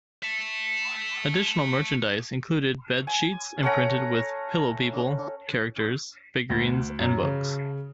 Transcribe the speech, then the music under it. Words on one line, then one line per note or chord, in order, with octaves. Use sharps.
Additional merchandise included bed sheets imprinted with Pillow People characters, figurines and books.
E5 A5
G#5
A3 C#4 F#5 A#5
D2
F#2
C#3